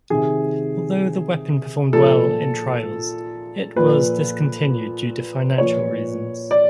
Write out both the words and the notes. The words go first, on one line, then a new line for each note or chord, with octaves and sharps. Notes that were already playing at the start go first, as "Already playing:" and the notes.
Although the weapon performed well in trials, it was discontinued due to financial reasons.
C3 D#3 G#4
A#2 F3 A4
A#2 F3 B4
A#2 F3 C#5
D5